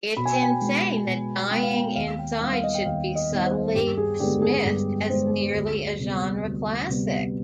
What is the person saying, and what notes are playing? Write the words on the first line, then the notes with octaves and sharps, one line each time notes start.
It's insane that 'Dying Inside' should be subtly dismissed as merely a genre classic.
B2 B5
G#5
G5
G#5
G#3 B3
B2
G#3 B3 G5
F5
G5
D#2 F5
G5
D#3 G3 B3 F5
F5
D#5
G5
D#2 F5
D#5
D#3 G3 B3
C5
G2 G4
G#4
D3 G#3 B3 G4
G#4
G2 G#4
D3 G#3 B3 C5
D2 G#4
C3 G3 B3
D2
C3 G3 B3